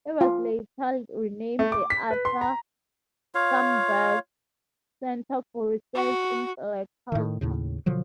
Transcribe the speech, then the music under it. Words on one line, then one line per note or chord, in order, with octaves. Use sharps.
It was later renamed the Arthur Schomburg Center for Research in Black Culture.
F4
A3
D6
B6
B4
C6
A#5
F4 C#5 F5
F#4
A2 D#3
D#2 A2 C#3
B2 D3 F3 F#3